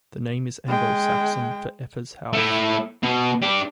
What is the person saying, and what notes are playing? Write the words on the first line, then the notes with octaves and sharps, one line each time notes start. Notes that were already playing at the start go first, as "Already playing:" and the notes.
The name is Anglo-Saxon for "Effa's house".
G#3 G5
A3 E4
B2
D4 G4